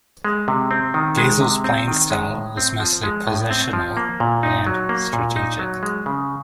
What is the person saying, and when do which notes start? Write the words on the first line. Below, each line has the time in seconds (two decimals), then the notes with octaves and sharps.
Gausel's playing style is mostly positional and strategic.
0.25 G#3
0.48 C3
0.71 C4
0.94 D#3
1.18 G#3
1.41 C3
1.64 C4
1.88 D#3
2.10 G#3
2.34 A2
2.57 C4
2.80 F3
3.03 G#3
3.27 A2
3.51 C4
3.73 F3
3.97 A#3
4.20 A#2
4.43 D#4
4.67 F#3
4.89 A#3
5.13 A#2
5.36 D#4
5.59 F#3
5.83 G#3
6.06 C#3